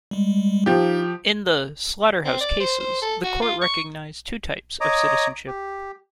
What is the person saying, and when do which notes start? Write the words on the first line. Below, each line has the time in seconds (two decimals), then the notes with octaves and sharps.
In the "Slaughter-House Cases" the court recognized two types of citizenship.
0.11 G3 G#3
0.66 F3 D#4 G4
2.25 C4
2.41 D5
2.60 C5
2.80 C5
3.02 A4
3.24 F#4
3.41 F4
3.61 C#6
4.81 C#5 D#5 A#5 D6 D#6
5.47 G4